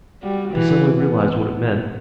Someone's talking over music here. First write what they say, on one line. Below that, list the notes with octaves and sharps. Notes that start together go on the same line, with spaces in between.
They suddenly realized what it meant.
G3 F#4
F#4
E3 E4
C4
B3